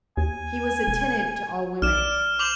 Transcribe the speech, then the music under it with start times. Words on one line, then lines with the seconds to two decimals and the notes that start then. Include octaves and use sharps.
He was attentive to all women.
0.17 D#2 G#5
0.88 E1
1.82 B1 D5 F6 E7
2.39 C5 D6 F7 F#7